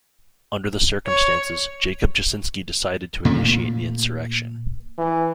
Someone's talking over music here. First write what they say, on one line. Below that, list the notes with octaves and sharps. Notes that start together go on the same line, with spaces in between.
Under the circumstances, Jakub Jasinski decided to initiate the insurrection.
C#5
A#2 A3
E3